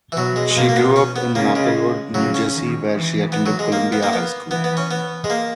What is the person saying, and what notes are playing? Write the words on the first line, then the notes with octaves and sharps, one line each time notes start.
She grew up in Maplewood, New Jersey, where she attended Columbia High School.
E3
B2 F#3
G#3
G#3
B2 A#3
A#3
B3
C#4
B3
C#3 A#3
G#3
C#3 F#3
C#4
D#3
E3
B3
F#3
G#3
A#3
B3
A#3
B3
E3 B3
B3
C#4
B3
G#3
A#3